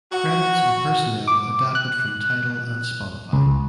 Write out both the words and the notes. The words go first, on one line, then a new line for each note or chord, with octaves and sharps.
Credits and personnel adapted from Tidal and Spotify.
F#4
D6
F#6
C#2